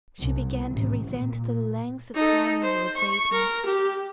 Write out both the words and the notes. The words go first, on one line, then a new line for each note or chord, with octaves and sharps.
She began to resent the length of time he was waiting.
C2
A1
A#2
D#4 A4
C5
C#6
A#4
G4